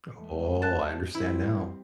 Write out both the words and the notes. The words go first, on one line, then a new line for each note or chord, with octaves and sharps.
U Oh, I understand now.
E2 G#3 A3
A5 F#6 A6
E3 G3 C4 E4